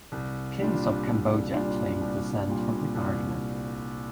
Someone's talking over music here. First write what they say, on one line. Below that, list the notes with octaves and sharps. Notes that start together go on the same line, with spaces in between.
Kings of Cambodia claim descent from the gardener.
C2
A#2 G3 D4 F4
C2
A#2 G3 D4 F4
C2
A#2 G3 D4 F4
C2